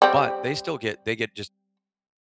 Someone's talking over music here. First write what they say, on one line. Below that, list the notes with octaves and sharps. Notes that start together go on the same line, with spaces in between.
but, they still get they get, just
G3 C4